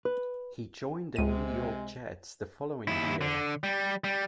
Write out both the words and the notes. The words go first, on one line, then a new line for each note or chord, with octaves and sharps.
He joined the New York Jets the following year.
B4
C#2 C3 G#3 D#7
D#2 E4
D3
G3
G3